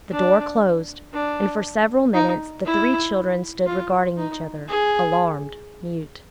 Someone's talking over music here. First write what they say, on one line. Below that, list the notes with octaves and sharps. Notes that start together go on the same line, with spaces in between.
The door closed, and for several minutes the three children stood regarding each other, alarmed, mute.
D4
D4
D#4
E4
F4
D#4
G#4